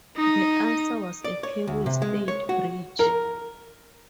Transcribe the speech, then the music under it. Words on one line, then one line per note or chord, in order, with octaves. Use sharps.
The answer was a cable-stayed bridge.
D#4 D#5
D5
C#5
D2
C3
G#3
C#5
F#4
A#4